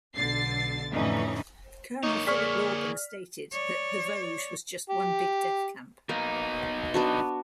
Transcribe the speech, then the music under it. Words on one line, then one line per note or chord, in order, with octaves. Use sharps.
Colonel Philip Lauben stated that The Vosges was just one big death camp.
B1 D3 A6 C7
F2 A2 D3 E3 C#4 D#4
A#3 D#4 C#5
G#4 D5 C#6 F6 B6
C#5 D5
G4
B2 A#3 D#4
B3 D4 F#4